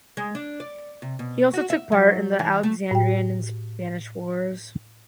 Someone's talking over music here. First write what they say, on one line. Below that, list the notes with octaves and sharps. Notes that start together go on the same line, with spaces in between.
He also took part in the Alexandrian and Spanish wars.
G#3
D4
D5
C3
B2
F#4
E5
F#3
E3
A3
A2 F#4 G5